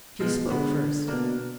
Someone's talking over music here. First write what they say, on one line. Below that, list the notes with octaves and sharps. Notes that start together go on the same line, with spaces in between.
She spoke first.
B2 F3 G#3
D3 G#3 B3
B2 A#3 D4